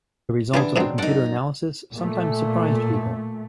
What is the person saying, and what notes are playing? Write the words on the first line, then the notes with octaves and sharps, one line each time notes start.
The results of the computer analysis sometimes surprised people.
D3 E3 D4 F4 G4 G#4
F2 B2 F#3 G#3 C4
F#2 D#4 A4 D5 F#5
A#2 A3